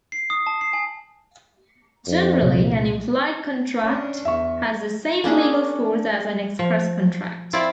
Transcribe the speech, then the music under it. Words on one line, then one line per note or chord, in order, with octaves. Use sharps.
Generally, an implied contract has the same legal force as an express contract.
C7
D#6
A5
C7
G#5
F2
C2 A#2
C#4 D4
E2 E5 C#6
A#3 C#4 D4 G#4
F3
C4 E4 F4 D5